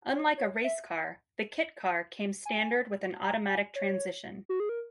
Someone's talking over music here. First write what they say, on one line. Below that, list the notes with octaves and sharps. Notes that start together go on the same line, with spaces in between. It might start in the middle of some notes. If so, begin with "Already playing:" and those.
Unlike a race car, the Kit Car came standard with an automatic transmission.
C#5
C#5
E5
G#5
A#5
G#5
C#5
F#4
G#4
A#4